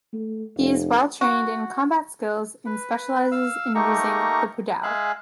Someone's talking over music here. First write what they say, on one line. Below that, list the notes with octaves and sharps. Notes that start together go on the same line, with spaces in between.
He is well-trained in combat skills and specialises in using the pudao.
A3
F1
F#4
B4
F5 E6
A3 A#3 D#4 G4 A#5 C#6
G#3 G#4 E5 F5 F#6